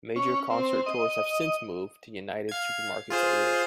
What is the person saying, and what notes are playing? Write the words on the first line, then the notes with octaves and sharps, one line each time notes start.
Major concert tours have since moved to United Supermarkets Arena.
C#4
C4
D#5
F5 G#6
F4 G#4 C5